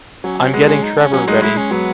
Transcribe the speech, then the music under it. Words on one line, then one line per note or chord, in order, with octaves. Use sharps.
I’m getting Trevor ready!
F#3 C#4
C#4
G#3 B3
C#4
D#4
C#4
F#3 C#4
G#3 D#4
G#3 E4
C#4
F#3 B3